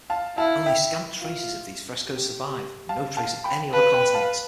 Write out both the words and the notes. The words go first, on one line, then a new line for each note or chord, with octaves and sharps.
Only scant traces of these frescoes survive, and no trace of any other contents.
F5 A5
E4 F5 A5
E5 G5
F4
G4
F5 A5
F5 A5
G5 B5
B4 F5 A5
G5 B5
F5 A5